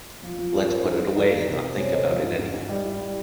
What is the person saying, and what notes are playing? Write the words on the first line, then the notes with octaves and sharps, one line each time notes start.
Let’s put it away and not think about it anymore.
F3 F4
F3
C#4 A#4
C#4 C5
D#4
F3
D#4 D5
A#3
C3
C3
C5
G#3 C#5
C3 D#5
F3 D#5
G#2
G#2
G#2
G3 D5
E4
G3